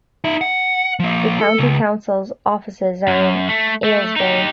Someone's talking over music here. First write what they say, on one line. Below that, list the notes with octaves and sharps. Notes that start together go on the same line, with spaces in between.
The county council's offices are in Aylesbury.
D#4 E5
F#5
F3 A#3
A4
C#2
F#2
A3
A3
D#4 G4